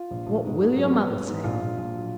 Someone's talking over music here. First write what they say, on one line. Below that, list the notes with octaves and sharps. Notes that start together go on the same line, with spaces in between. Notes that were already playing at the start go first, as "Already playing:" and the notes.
"What will your mother say?"
Already playing: F4
A#1
A#1
G#2
G#2
F#3
B3
B3
G#2
A#1 F4
A#1
A#1
F#3